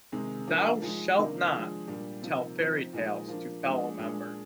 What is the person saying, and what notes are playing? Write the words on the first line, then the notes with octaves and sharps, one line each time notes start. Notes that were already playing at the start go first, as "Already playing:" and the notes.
Thou shalt not tell fairy tales to fellow members.
C3 D#3 G#3
F3 A#3 D4
F3 G#3 D#4
C3 D#3 A#3 D4
F3 G#3 D4
A#2 G3 D4
C3 F3 A#3 D#4
F3 C4 D#4
A#2 F3 G#3 D#4
F3 A#3 D4
F3 G#3 D4
A#2 G#3 D4